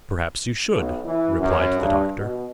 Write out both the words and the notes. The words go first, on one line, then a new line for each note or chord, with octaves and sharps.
"Perhaps you should," replied the doctor.
B1
E3
F#2
G2
B2